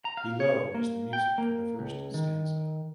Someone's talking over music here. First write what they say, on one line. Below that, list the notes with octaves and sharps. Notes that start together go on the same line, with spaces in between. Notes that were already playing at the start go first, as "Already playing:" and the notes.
Below is the music for the first stanza.
A#5
F5
C#5
A#3
G5
A#3
C#2
D#3